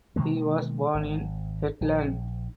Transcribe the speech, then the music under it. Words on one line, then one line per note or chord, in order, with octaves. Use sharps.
He was born in Hetland.
B2 D#3 G#3 A#3
G#1
A#1